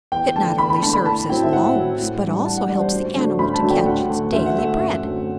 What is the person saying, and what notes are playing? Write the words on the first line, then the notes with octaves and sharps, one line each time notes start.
It not only serves as lungs, but also helps the animal to catch its "daily bread"!
E2 G5
D3 A3 D4 A5
E2 B5
B5
D3 A3 D4 A5
B5
A2 A5
F#3 C4 E4 G5
E5
A2 F#5
F#3 C4 E4
A2
E3 G3 D4
A2 A5
F#5
E3 G3 D4 D5
C5
D2
D3 F#3 A3 D4
D2 B5
A5
D3 F#3 A3 D4
G5
D2 F#5
D3 A3
D2 E5
F#5
D3 A3 E5
F#2
D3 F#3 A3 C4